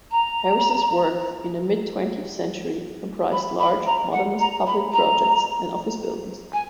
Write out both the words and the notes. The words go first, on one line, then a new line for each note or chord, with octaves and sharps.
Harrison's work in the mid-twentieth century comprised large, modernist public projects and office buildings.
A#5
B5
B5
A#5
F#5
A#5
B5
A#5
G#5